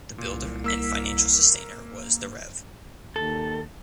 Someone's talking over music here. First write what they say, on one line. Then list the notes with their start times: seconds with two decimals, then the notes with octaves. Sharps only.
The builder and financial sustainer was the Rev.
0.18 C2 A#2
0.64 A#3 E6 B6
3.16 D#2 A4